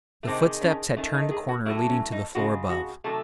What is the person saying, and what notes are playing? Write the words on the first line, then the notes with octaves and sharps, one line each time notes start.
The footsteps had turned the corner leading to the floor above.
A3
C3 D#3 G#3 C4
C#4
D#3 A3 C#4
D#4
G#4
F#4
A2 F#3 A3 E4
C#4
D#4
C#3 G#3 F#4
F#4
C3 D#3 F#3 A3 A4